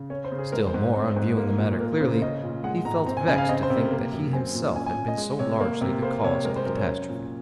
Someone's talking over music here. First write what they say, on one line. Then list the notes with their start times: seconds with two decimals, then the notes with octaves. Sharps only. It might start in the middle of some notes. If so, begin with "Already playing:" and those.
Still more, on viewing the matter clearly, he felt vexed to think that he himself had been so largely the cause of the catastrophe.
Already playing: C#3
0.10 C#4 C#5
0.24 C5
0.32 C#3
0.38 G#4
0.52 G#3 A#4
0.67 C5
0.74 G#2
0.95 C4
1.16 G#2
1.37 A#3
1.58 A#2
1.79 A#3 A#4
2.00 C#3 C5
2.22 C#4 D#5
2.43 A#2
2.64 G#3 F#5
2.85 G#2 A#5
3.06 C4 A#5
3.17 G#5
3.28 C#3 G#5
3.38 F5
3.49 C4 D#5
3.63 C5
3.70 C3
3.77 A#4
3.91 A#3
4.12 F#2
4.33 C4 G#5
4.54 A#2
4.76 C#4 G#5
4.86 G#5
4.97 A#2
5.08 D#5
5.18 G#3
5.39 C3 C#5
5.60 A#3
5.81 C3
6.02 A#3 C5
6.24 C3 C#5
6.44 G#3 A#4
6.56 C5
6.66 F#2 A#4
6.77 C#5
6.87 C#4
7.09 A#2